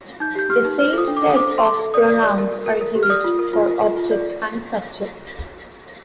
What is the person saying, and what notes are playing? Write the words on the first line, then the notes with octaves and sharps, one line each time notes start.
The same set of pronouns are used for object and subject.
D#4 G6
G4 G6
G4 F6
D#4
C5 F6
A4 D#6
D4
D6
D4
D#6
C5 D6
A4
C6
A4 D6
A4
D5 D#6
D5
D5
A#4
A#4
A#4
A#4
G4
F6
D5 D#6
F4
A#4
F4
A#4
F4
F4
D5